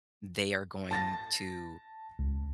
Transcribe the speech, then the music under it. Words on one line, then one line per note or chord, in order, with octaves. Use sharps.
they are going to,
A5 A6 A#6
C#2